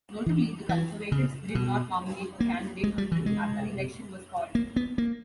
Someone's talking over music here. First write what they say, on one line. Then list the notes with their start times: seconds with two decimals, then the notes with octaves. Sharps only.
Notably, the Conservatives did not nominate a candidate until after the election was called.
0.26 E3
0.69 E3
1.12 C#3
1.55 B2
2.40 A#3
2.83 G#3
2.98 G3
3.12 E3
3.26 G#3
4.55 A#3
4.76 B3
4.98 A#3